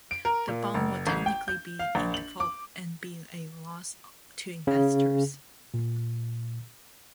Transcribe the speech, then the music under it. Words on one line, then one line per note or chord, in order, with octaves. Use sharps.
The bond would technically be in default and be a loss to investors.
D7
A#4
A#2
F#1
A1
G5
G6
F5
A#1
F#7
D6
C#3
A#2